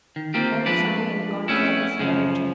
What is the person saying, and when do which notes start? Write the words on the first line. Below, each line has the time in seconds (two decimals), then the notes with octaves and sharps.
'Haven't signed any contracts yet.
0.16 D#3
0.34 A#3 C4 F4 G4
0.66 F3 G#3 D4 B4 D5
1.48 F2 A3 B3 C#4 E4
1.99 F#2 C#3 F3